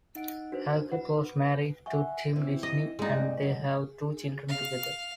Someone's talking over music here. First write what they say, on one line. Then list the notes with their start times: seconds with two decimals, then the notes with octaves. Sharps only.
Hackett was married to Tim Disney, and they have two children together.
0.15 D#4 F#5 D7
0.52 D4 F#4 B4 C5
0.92 B4 F#5
1.86 E5 F#5 G#5 C#6
2.36 E3 C4
2.63 D#5
2.99 D2 G2 G3 G#3 D#4
3.42 F#2
3.86 G#4
4.48 F5